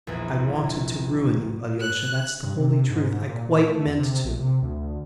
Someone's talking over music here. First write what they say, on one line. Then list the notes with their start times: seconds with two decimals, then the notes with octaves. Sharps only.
I wanted to ruin you, Alyosha, that's the holy truth; I quite meant to.
0.07 A#1 E2
1.80 F#6
2.44 G2
2.56 C3
2.90 G#2
3.12 G#2
3.28 A#2
3.50 A#2
3.67 A3
3.86 E2
3.99 C3
4.24 A#1
4.40 C3
4.63 D2